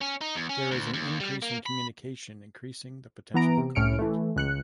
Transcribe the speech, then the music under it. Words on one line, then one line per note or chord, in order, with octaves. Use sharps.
There is an increase in communication increasing the potential for conflict.
C#4
D#4
E2
C#4
D2
D#2
G3
A#3
B5
E3 B3 A#5 D7
C3
C2 A2 C#4 F6 C#7 D7
E3 A3
C#2 F#6 C#7